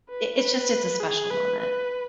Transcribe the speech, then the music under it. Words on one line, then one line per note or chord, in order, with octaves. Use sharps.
it it's just it's a special moment.
B4
B4
G#4
B4
B4